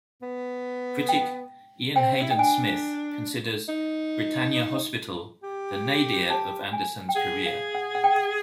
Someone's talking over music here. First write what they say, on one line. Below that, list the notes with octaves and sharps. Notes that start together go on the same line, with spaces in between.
Critic Ian Haydn Smith considers "Britannia Hospital" the "nadir" of Anderson's career.
B3
G5
C4 G5
E4
D#4 G5
D4 G#5
D#4
G4
A5
G#5
G5
G#4 F#5
F5
F#5
F#5
G5